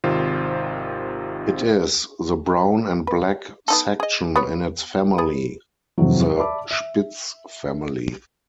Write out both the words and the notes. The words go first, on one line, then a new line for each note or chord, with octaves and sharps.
It is in the "brown and black section" in its family, the Spitz family.
G#1 C3 D#3 F4 C5
B4
B3 D#4 A4
G#4 D#5
B3 B4 C#5
B3 G#4
F2 G#2 C3 D#3 E3 F#3
D5 E5 A5 B5 D6
E5